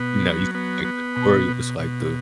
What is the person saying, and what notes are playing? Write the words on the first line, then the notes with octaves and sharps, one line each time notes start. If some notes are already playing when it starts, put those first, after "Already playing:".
you know, you said, like, the aquarium, it's, like, the
Already playing: B2 B3
F#3
B3
B3
B2
B2
B2